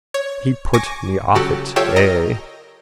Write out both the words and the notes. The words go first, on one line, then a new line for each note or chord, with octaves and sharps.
He put me off it. Ay.
C#5
G#5 C#6 D6 A#6
C#3 F#3 F#4 G4 A4
F4 G4 A4 C#5 E5 G5
A#4 D#5